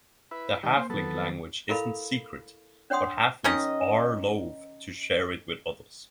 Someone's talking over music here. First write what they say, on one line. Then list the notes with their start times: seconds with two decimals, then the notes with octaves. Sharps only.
The Halfling language isn’t secret, but halflings are loath to share it with others.
0.31 E4 B4
0.63 D#3 G3 D#6 G6
0.77 A#3 C5
0.90 D#3 F#3 B3 A4
1.69 E4 A4 A#4 F5 B5
2.90 D4 C#5 F#5 G5 C6 D#6
3.44 D#3 C#4 D#5